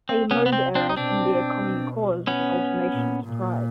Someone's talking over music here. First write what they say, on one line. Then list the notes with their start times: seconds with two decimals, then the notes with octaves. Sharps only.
A mode error can be a common cause of an automation surprise.
0.09 C4
0.31 C3 B3 C#4
0.46 B3
0.53 C4
0.75 C4 D4
0.89 D#4
0.96 B2 C4 D4
1.30 B2
2.27 B3 C#4
2.92 A#2
3.25 A#2